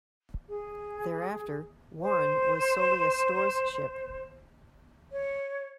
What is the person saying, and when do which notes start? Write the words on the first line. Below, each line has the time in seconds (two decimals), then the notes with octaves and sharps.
Thereafter, "Warren" was solely a stores ship.
0.48 G#4
2.02 C5
5.12 C#5